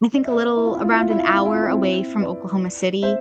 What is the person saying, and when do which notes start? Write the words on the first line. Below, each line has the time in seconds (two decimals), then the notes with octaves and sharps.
I think, a little around an hour away from Oklahoma City,
0.15 D5
0.25 E5
0.33 B4 D5
0.57 E4
0.66 F4
0.74 E4
0.83 F4
0.92 E4
1.01 F4
1.10 E4
1.19 F4
1.28 E4
1.36 F4
1.46 E4
1.54 F4
1.63 C4 E4
2.21 B4 D5
3.02 C5 E5